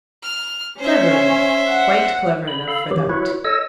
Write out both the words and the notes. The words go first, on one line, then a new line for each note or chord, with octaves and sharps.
"Clever enough--quite clever enough for that."
F6
C#4 C5 E5
F#5
B5
A4 F5 B5
D#3 E3 F#3 G4
E4 F#4 B4 C#5
A4 C#5 D#5 E6